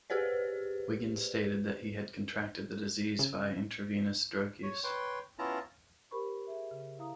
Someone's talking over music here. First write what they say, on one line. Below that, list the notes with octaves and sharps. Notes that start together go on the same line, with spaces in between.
Wiggins stated that he had contracted the disease via intravenous drug use.
G4 G#4 B4 C5 D5
C#3
C#5
B4 C#5 G5 C6
B3 C#4 E4 F4 A5 A#5
G4 A#4 C5 B5 C#6
G#4 E5
C#3
E4 F5 A#5 D#6